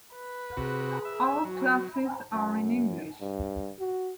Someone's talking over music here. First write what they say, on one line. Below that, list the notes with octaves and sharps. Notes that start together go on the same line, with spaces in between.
All classes are in English.
B4
C3 F#4 G#4
E5
F#3 F#4
F#2
G2
F#4